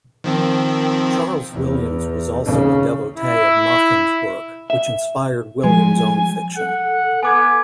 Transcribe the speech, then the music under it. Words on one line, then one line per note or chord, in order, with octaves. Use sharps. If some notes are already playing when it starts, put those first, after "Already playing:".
Charles Williams was also a devotee of Machen's work, which inspired Williams' own fiction.
D#3 F3 C4
E2
D#2 C#3
E4
E5
F3 G3 G#3 G#5
A4 F#5
B3 G#5 D6 G#6